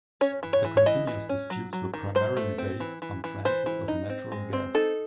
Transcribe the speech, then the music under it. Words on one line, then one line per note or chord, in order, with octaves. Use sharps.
The continuous disputes were primarily based on transit of natural gas.
C#4 C#5
E3
C#5
E3
C#5
E3 D#5
E3
C#4
F#3
F#3
D#3
F#3 C5
A3
C4
E3
E3
E3
E3 C5
E3
D#4
C4
G#3
C4
D#4 A4